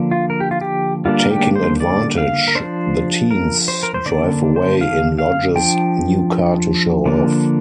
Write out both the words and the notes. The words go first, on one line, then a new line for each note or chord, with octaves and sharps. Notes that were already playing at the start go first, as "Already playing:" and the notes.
Taking advantage, the teens drive away in Lodge's new car to show off.
Already playing: D3 F3 A#3 D4
F4
A#4
G4
F4
G4
D3 G3 A#3 D4 F4
A#4
G4
C5
D5
F5
A#4
F3 D4 C5
A#4
C5
A#4
C5
D3 A#3 D4 D5
C5
F5
F5
F3 D4 G5
D3 F3 A#3 D4